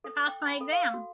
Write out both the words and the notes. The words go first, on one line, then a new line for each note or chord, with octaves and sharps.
I passed my exam!
A4
G5
B5
A4
F5
F#4